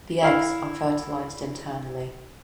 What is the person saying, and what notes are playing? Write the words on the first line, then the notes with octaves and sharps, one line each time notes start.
The eggs are fertilised internally.
E4 F5